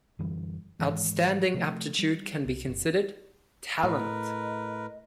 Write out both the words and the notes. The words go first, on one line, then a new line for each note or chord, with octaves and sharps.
Outstanding aptitude can be considered "talent".
F#2 D3 E3 G3
G#2 D#3 E3 G#3
C3 F3 A3
G3
C2
F#1
A2 A#4 B4 D#5